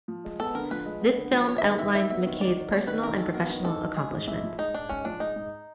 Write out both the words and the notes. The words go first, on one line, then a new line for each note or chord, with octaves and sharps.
This film outlines McKay's personal and professional accomplishments.
F3
G#3
B3 A4
D3 A#4
F3 B4
G#3
B3
D3
F3
B3 C#5
E5
D#3 D#5
D#3 E5
F#3 E5
B3 E5
D#3
D#3 D5
F#3
B3 C#5
D#3 B4
D#3 A#4
F#3 A4
B3 A#4
D#3
D#3 A4
F#3
G#3 G#4
G#2
G#2 E4
F3
G#3 D#4
G#2 D4
G#2 C#4
F3 D4
G#3 D#4
G#2